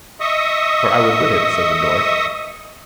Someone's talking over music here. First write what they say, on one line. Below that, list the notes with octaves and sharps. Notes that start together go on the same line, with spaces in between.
For I would wit it, said the dwarf.
D#5 E5 C#6 D#6